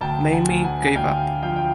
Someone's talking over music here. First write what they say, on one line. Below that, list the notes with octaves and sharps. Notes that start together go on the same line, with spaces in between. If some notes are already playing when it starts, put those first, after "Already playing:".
Mamie gave up.
D2 G5 A5
F#5 G#5
D2
F#5 G#5
G#5
D2 F5 G5
F3 F5 G5
G5